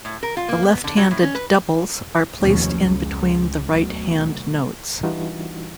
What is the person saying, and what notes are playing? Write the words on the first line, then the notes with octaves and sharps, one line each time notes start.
The left-handed doubles are placed in between the right hand notes.
A2
A#4
F4
A#3
B3
D3
F#3
A2
C#4
B4
F1 D#2 B2 F3 F#3 C#4
C#2
D2 B2 F#3
E3 G3 D4 D#4 F4 F#4